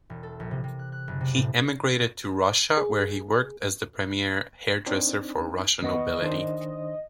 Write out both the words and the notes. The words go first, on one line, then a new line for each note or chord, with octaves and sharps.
He emigrated to Russia, where he worked as the premier hairdresser for Russian nobility.
E1
A4
A#1
C3
C3
F#6
F#6
F#1
C3
A2
G#4
C4 D4 D#4
D#2 B3 D#5 C#6
D#3 D4 C5